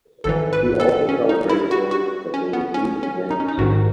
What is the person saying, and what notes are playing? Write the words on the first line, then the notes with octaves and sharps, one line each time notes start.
He also tells Rachel that they will meet again soon.
G#1 G#2 E3 A4
B4
A4
C#4
D#4
E4
F#4
F#4
C#4
B3
C#4
C#4
D#4
C#4
D#4
A1 G#2 D#3 F#4